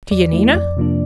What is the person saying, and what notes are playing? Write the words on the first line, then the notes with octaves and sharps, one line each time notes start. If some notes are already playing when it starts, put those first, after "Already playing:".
"To Yanina?"
E2 D5
E3 A3 E4
F2 D5
C3 F3 A#3 D4